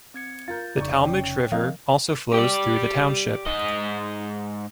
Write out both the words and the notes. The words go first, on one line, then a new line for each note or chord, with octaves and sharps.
The Talmadge River also flows through the township.
C4 G#6 C#7
F4 A#4 G6 A6
F1 C#3 C#4 D#4 D5 C#6
C#5 G5
F3 C4 A#4 D#5 F5
G4 D5
G#2 D#5